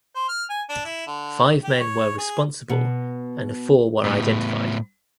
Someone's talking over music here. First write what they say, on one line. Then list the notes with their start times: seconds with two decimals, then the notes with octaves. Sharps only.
Five men were responsible and four were identified.
0.16 C5
0.29 F6
0.50 G#5
0.69 D4
0.85 E4
1.07 D3
1.64 G4
1.80 C#5
2.18 G#4
2.70 B2
4.04 A2 B3